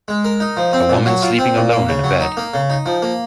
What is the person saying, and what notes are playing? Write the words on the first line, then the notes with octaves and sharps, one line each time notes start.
A woman sleeping alone in a bed.
G#3
A#4
D#4
F3
C4
A#2
F#3
F4
C4
A#2
A#3
C#3
F#3
D#4
A#3
C#3
D#4
F3
A#3